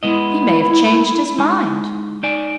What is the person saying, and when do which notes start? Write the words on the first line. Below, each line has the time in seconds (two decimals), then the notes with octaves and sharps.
"He may have changed his mind."
0.03 G#3 B3 E4 D#5
1.38 G#3 D#4
2.23 D#4 D5 G#5